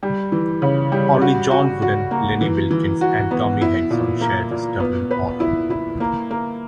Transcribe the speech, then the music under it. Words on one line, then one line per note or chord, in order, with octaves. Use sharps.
Only John Wooden, Lenny Wilkens and Tommy Heinsohn share this double honor.
G3
E3
C#3
G3
F#4
F#4
F#4
A#3
E3
E3
F#4
B3
E4
A#2
A#3
A#2
B3
B4
E4
E4
A#3
A#3